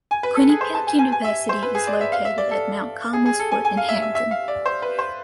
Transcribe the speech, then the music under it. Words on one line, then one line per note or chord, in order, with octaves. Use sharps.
Quinnipiac University is located at Mount Carmel's foot in Hamden.
G#5
B4
A4
G#4
C5
A5
G#5
G#5
G#5
E5
C5
B4
G#4
D5
E5
F5
E5
D5
A4
G#4
G#4
A4
G#5
G#5
F5
E5
E5
E5
F5
D5
C5
B4
C5